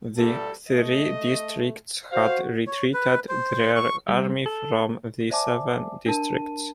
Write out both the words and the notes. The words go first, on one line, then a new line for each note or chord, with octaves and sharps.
The Three Districts had retreated their army from the Seven Districts.
D2 G2 G3 A4
A3 D#5
F#4 C5 F5
C#5
B4
C5
C#6
G3
A4
C5 D5 E5 G#5 A5 D6
D4 A#4 A5 D#7